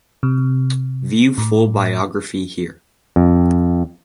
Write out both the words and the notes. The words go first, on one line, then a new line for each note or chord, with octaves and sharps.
View full biography here.
C3
A2
F2